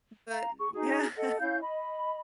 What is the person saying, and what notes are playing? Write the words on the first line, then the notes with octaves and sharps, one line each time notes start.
but Yeah.
F5 A#5
G#4 C#6
D#4 F#4 G#4
A4 D#5 F#5
C#4 E4 F5 G6
D#5 B5